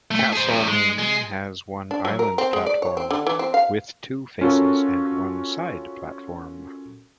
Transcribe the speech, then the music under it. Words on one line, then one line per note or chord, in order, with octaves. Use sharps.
Castlemaine has one island platform, with two faces and one side platform.
A3
G#4 C5
E2 A2
G#3
G#3
D4
F#3
A#4
C4
G#3
D5
C#5
C4
D3
E3
C4
F5
C#4 F4 F#4 A4 A#4